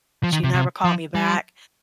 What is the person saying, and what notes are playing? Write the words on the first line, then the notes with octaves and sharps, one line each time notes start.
She never called me back.
F3
D#3
C3
C3
F3
G3